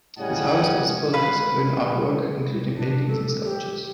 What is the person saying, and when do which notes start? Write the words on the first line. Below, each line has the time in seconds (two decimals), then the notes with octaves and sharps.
His house was full of his own artwork, including paintings and sculptures.
0.18 A2 C#3 G3 D#5 F#5 G#5
1.13 B4 F5 B5
2.76 D4
3.08 A4
3.44 G4